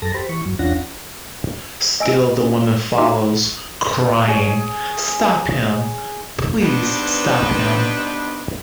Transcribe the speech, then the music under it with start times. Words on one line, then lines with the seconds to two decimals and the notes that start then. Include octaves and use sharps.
Still the woman follows, crying, "Stop him, please stop him!"
0.02 F#2 A4 A5 A#6
0.14 G4 C5 B5
0.29 E3 C#6
0.46 G2 F#3
0.59 E2 C#4 D4 F4 F#5 A#6
2.00 D#5 G#5 E6 D7
2.43 C#4
2.98 D#4 F#4 E5 A#5 C6 D6
4.28 G#4 C#5
6.62 G3 B3 D4 D#4 B4 C5